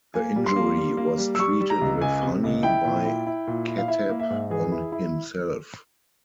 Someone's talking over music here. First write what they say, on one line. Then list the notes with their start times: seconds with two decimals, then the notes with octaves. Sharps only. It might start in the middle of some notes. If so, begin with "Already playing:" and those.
The injury was treated with honey by Khattab on himself.
0.14 A#3 G#5
0.36 G3
0.46 C6
0.56 A#3
0.77 G3
0.97 A#3
1.18 G3
1.35 E6
1.39 G3 C#6
1.61 G3
1.70 A#5
1.81 C#2
2.01 C#2 G#5
2.23 C3
2.43 C#2
2.63 E4 G5
2.85 A#2
3.05 E4
3.27 E4
3.47 A#2
3.68 E4
3.78 F5
3.88 E4 E5
4.10 A#3
4.20 E5
4.30 G#2
4.50 E3 G#4
4.72 E4
4.92 E4